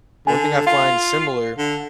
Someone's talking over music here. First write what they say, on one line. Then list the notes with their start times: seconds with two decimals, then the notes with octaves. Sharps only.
one thing I find similar,
0.27 D3 G#5
0.67 F4 F5
1.58 D3